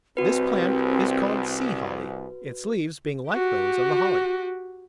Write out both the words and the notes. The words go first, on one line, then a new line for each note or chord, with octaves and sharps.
This plant is called Sea Holly, its leaves being like those of the holly.
C2 C4 F#4 B4
F#4 G4